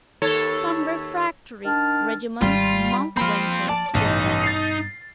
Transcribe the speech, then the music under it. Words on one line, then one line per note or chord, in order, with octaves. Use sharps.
Some refractory regiments Monk ventured to disband.
D#2 A4 C#5
D#3 D4 A5 F6
G#1 G3 F4
F3 A#3 C4 F4 B5 F6
D5 A5
A1 G2 B2 D#4
A6 C7